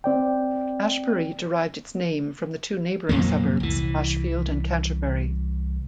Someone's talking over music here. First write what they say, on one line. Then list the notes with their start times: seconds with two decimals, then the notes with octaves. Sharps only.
Ashbury derived its name from the two neighbouring suburbs Ashfield and Canterbury.
0.04 C4 D5 G5
3.09 F2 A#2 F#3 A#3
3.60 C2 E3